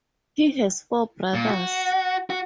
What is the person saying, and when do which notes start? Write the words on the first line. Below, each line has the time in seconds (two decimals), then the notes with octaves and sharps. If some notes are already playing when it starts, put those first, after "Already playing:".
He has four brothers.
1.34 A#2
1.50 F#4
2.30 F#4